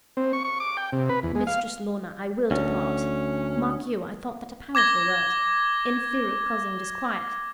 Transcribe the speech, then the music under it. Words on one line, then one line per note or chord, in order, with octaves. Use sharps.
'Mistress Lorna, I will depart'--mark you, I thought that a powerful word--'in fear of causing disquiet.
C4
C#6
C#6
D6
G5
C3
B4
E2
G#3
F5
D2 C#4
D6 G#6 A#6 G7